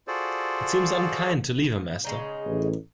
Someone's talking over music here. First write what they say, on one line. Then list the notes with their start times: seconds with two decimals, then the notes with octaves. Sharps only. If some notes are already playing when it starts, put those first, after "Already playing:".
It seems unkind to leave him, Esther.
0.08 F4 F#4 G#4 A4 C5 D5
2.04 C#3 G#3 D#4
2.46 A1